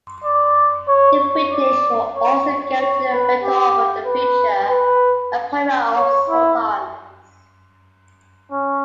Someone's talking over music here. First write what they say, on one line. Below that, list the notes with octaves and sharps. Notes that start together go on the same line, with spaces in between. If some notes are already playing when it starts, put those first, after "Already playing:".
The British were also guaranteed a veto over the future appointment of sultans.
D5
C#5
C#5
D5
C#5
C#5
B4
G4
B4
B4
C#5
E4
C#4